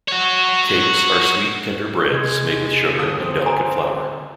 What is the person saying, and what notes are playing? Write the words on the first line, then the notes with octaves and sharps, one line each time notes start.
Cakes are sweet tender breads made with sugar and delicate flour.
F#4 C#5
C3 G#3 G#6
G1 D3 A4 D#6
C4
G#5 A#5